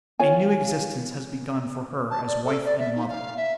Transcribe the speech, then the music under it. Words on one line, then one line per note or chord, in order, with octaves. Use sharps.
A new existence has begun for her as wife and mother.
F4 C#5 G#5
A5
D5
A4
D5
E5
D#4
F5
E5